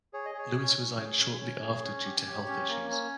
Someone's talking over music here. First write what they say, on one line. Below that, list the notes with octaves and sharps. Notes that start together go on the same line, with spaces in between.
Lewis resigned shortly after due to health issues.
G#4 C#5
D#5
G#4 C#5
C#4
C#4
G#4
C#4
C#4
G#4
C#4
G4
G4
C#4
A#3
C#4